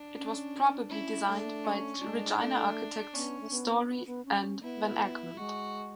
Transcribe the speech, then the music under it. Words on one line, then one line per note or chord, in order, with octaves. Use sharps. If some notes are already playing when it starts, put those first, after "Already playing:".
It was probably designed by Regina architects Storey and Van Egmond.
Already playing: D4
C#4
C#4 E4
A3 D4
C#4
G#3 D4
A3 D4
B3 C#4
A3
B3
B3
B3
C#4
B3 E4
G#3 F#4